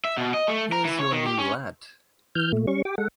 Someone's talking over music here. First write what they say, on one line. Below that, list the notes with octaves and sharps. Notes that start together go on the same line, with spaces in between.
Here’s your new lad.
E5
B2
D#5
A3
A#4
E3
C#5
D#3
G4
C#4
E3 F6 G6
A#2 A3
G3 C#4 C#6
G4 G5 D6
G#3 A4 F#5